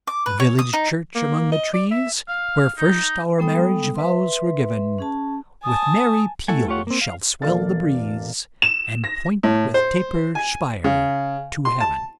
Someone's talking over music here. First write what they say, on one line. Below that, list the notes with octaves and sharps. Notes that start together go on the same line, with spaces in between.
The village-church among the trees, Where first our marriage-vows were given, With merry peals shall swell the breeze And point with taper spire to Heaven.
D6
B4
C#5
D#6
D#4
A#3
D#5
D5
E5
F5
D#4
G3 G#3 B3 A4 G5 D#6
B4 E5 C6
C#4 G#4 A5
G#5 A5 D#6
A3 E4 A4 F#5 G#5
A3 F4 G4 C#5 F#5
A#3 C4
F5
E1 A#3 A4 D5 F5 A6
E7
A#6
A2
C5
G#5
C#3
C6
A5